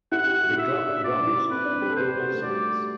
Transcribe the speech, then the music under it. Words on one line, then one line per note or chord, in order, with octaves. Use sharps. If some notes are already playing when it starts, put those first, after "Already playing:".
The club runs the Broughton Sevens.
E4 F#5
G4
F#4
E4
F#4 E5
F#4
D4
D4 D5
E4
C4 B4
D4
G4
A4
B4 C5
G4
F#4
A3
G3 D5